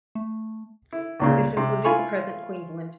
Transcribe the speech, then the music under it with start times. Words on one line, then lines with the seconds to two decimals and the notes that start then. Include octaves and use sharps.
This included the present Queensland.
0.15 A3
0.93 E4
1.20 C#2 A#2 C#3
1.57 C3
1.85 E4 F4 G#5 B5 C#6